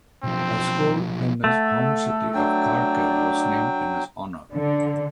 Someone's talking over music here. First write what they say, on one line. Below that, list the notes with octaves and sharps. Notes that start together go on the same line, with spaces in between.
A school in his home city of Kharkiv was named in his honor.
B1 F3 C4
A3 A4 F#5
F#3 D4 G5
D3